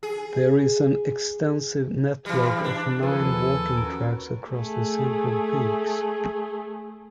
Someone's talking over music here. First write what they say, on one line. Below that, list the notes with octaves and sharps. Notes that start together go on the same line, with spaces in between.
There is an extensive network of nine walking tracks across the central peaks.
G#4
E3 G3
D4
D#2 F3 F4 G#4 A4 B4 G#5
C#4 F#4 A#4
A3 G#4